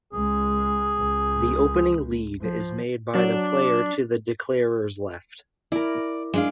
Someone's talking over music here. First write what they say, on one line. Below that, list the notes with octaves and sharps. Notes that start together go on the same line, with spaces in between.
The opening lead is made by the player to the declarer's left.
C#2 G#3 G#4
C#2
F3
F#3 D4
E4 A#4 D5
G#3 D4 F5